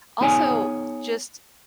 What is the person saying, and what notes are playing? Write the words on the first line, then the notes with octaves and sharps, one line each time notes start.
Also, just
B3 D#4 G#4 C#5 G5 G#5